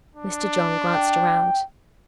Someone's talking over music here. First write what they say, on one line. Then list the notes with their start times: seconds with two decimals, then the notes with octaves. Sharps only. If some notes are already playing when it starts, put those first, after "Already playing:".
Mr. John glanced round.
0.15 D4
0.94 G5